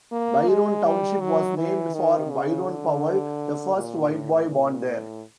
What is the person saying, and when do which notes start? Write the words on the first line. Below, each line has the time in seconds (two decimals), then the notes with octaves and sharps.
Byron Township was named for Byron Powell, the first white boy born there.
0.12 A#3
0.49 G#3
0.85 G3
1.20 F#3
1.57 E3
1.94 D#3
2.31 C#3
2.67 D3
3.75 A#2
4.12 A2
4.49 A#2
4.85 A2